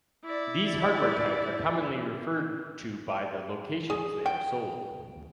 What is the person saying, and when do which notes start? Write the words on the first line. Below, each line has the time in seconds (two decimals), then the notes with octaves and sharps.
These hardware types are commonly referred to by the locations they are sold.
0.25 E4 D5
3.90 G#4
4.26 G5